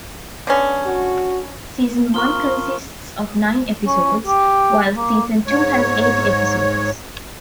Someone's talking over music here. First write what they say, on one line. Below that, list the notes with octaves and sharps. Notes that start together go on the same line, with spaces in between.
Season one consists of nine episodes, while season two has eight episodes.
D3 B3 C#4
F#4
F3 A#4 C#6 F6 G7
C#4
G4
A#3
G#2 C#5